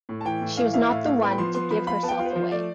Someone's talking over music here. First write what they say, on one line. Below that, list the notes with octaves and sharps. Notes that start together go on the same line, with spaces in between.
She was not the one to give herself away.
A2
A5
E3 G5
A2
E3 F5
E4 F5
A2 F5
A2 F5
B3 G5
B5
F3 C6
B3 C6
F3 B5
F4 B5
B3 A5
G5
F4
B4
C5
F3
A3 D5